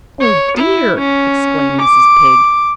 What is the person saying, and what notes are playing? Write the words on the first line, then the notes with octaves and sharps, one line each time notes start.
"Oh dear!" exclaimed Mrs. Pig.
C#5
E4
C#4
D6